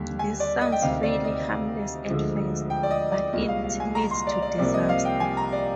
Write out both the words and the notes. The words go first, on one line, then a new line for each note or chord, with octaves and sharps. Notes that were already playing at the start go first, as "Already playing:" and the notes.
This sounds fairly harmless at first, but it leads to disaster.
Already playing: D#2 D3 G3
G#5
D5
D#5
G5
D2 C3 D#3 F5
D5
D#5
D2 D3 F3 G#3
G5
D5
D#5
D5
C2 A#2 G#3 D#5
F5
F5
G#5
A#5
C6
D5
D5
C2 C3 F3 A#3 D5
D#5
F5
G5
G#5
A#5
D5